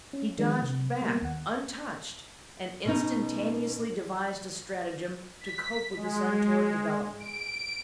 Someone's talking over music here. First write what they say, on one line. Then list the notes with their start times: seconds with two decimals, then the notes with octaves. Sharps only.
He dodged back, untouched, and instantaneously devised a stratagem to cope with this untoward development.
0.13 C#4
0.38 D#3 F3 G#3 D4
0.62 C3
1.01 G3 A#3 B3
1.22 D#2 F#5
2.85 B2 C#4 D#4
5.41 B6
5.96 G#3
7.19 D7